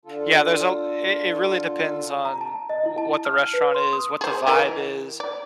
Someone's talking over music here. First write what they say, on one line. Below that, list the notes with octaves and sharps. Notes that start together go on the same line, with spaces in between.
Yeah, there's al i it really depends on wh what the restaurant is, what the vibe is,
D3 F4 A4
A#5
A5
D#5
E4
A5
F6
B4
C6
D#6
G#4 C5
E3 A#4 D#5
D5